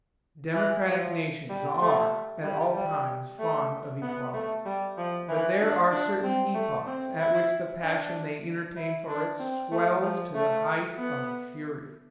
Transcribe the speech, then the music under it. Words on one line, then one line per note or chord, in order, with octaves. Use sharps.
Democratic nations are at all times fond of equality, but there are certain epochs at which the passion they entertain for it swells to the height of fury.
E3
F3
G3
A3
G3
G3
A3
B3
A3
G3
F3
E3
D4
D4
C4
A3
C4
E4
D4
E4
D4
C4
A3
F3
A3
B3